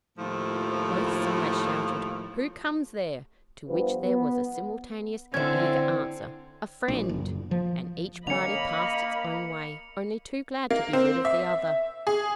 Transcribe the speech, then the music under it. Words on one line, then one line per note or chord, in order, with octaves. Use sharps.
Both sides shouted, "Who comes there?" to which there was a simultaneous and eager answer, "A friend," and each party passed its own way, only too glad to be rid of the other.
D#2 A2 F3
G2 F3 B3
B3
D3 C4 C#4 E4 G#6
A#1
F#1
F3
D3 A#3 C#4 D#5 B5 C#7 F7
A#3
C4
E5
G#4